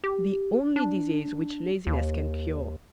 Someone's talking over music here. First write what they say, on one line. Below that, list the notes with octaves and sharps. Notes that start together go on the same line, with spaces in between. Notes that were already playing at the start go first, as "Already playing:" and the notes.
The only disease which laziness can cure.
G4
D4
D#2